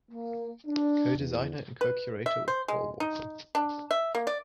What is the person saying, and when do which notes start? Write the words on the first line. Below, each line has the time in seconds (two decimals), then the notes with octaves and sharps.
Co-designer and co-curator with Paul Walker.
0.11 A#3
0.67 D4
1.17 E2
1.81 B4
2.26 E5
2.48 C5
2.68 G#3
3.00 D#4
3.55 D4
3.91 E5
4.15 A#3
4.27 D5